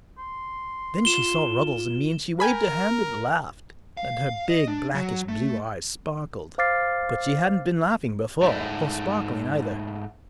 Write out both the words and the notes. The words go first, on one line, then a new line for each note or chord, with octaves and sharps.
Then she saw Ruggles and me and she waved her hand and laughed, and her big blackish-blue eyes sparkled; but she hadn't been laughing before, or sparkling either.
C6
F4 E7 G7
A#4 G5 G#5 B5
F5
D#5
D4
F#3
A3
C5 F5 D6 F6 A6 C7
G#2 A3